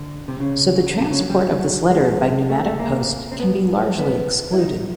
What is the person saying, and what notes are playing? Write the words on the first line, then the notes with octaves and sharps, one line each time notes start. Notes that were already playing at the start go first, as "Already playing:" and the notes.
So the transport of this letter by pneumatic post can be largely excluded.
Already playing: D3
C3
C#3
C3
C#3
F#3
G3
F#3
F#3
G#3
A3
A3
A#3
C4
B3
B3
E4
D#4